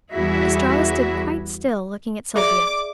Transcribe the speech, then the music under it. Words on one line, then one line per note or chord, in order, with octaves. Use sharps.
Estralla stood quite still looking at Sylvia.
E2 G3 E4 F#4 G#4 E5
G#4 D5 E5 D6